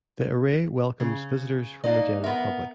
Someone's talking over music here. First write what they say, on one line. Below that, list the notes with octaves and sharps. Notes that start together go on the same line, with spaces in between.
The Array welcomes visitors from the general public.
C#3
A#3 D#4 D5 D#5 F5
B3 A#4 E5